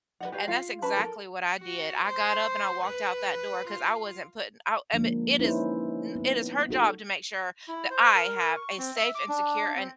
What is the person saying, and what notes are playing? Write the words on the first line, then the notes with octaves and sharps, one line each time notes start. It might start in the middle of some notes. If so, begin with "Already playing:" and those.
and that's exactly what I did, I got up and I walked out that door 'cause I wasn't putting out, I mea it is n it is her job to make sure that I have a safe and secure and
B4 D#5 F#5
G4 B4 C#5 F5
F4 F5
C#4 B4 A5 B5
A4 A#4
F#4
C5
B4
F4
D3 F3 G#3 A#3 D4
C#4 D#4 E4 B4 C5
B3
D#4 F#4 A4
E4
C5
A#4
C#6
C4
E5
D6
D4
C4